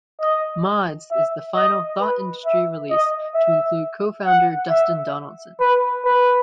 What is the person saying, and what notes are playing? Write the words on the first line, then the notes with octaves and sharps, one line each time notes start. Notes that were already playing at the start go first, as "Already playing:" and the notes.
"Mods" is the final Thought Industry release to include co-founder Dustin Donaldson.
D#5
E5
D#5
B4
E5
D#5
E5
F#5
E5
B4
B4